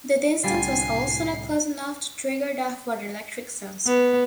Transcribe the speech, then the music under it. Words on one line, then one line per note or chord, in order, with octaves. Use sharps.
The distance was also not close enough to trigger the photoelectric sensor.
C2 A2 D3 G3 F4 G#5 C7
B3